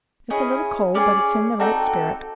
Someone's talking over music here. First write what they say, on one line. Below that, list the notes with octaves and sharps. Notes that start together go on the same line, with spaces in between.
It's a little cold, but it's in the right spirit.
C#4 E4 G#4 D#5
C#4 E4 G#4 D5
C4 D#4 F#4 A4